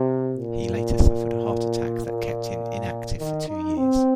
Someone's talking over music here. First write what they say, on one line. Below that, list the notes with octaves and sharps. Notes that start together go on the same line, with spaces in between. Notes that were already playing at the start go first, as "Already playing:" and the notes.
He later suffered a heart attack that kept him inactive for two years.
Already playing: C3
A#2
A#2
D#3
D#4
C4